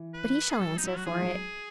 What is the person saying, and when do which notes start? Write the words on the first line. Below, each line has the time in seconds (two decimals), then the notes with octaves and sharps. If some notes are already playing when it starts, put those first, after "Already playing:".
'But he shall answer for it.
Already playing: E3
0.14 B4
0.50 G#4
0.60 F#3 A4
0.78 D#4
0.84 F#3 E4
0.97 F#4
1.06 E3 G#4
1.18 G#3
1.22 F#3